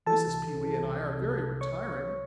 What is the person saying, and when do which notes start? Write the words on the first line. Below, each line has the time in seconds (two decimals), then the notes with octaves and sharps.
Mrs. Pewee and I are very retiring.
0.06 E3 A4 A5
0.26 C2
0.45 C2
0.65 E3
0.83 C2
1.03 C3
1.22 C2
1.42 C2
1.61 C#5 C#6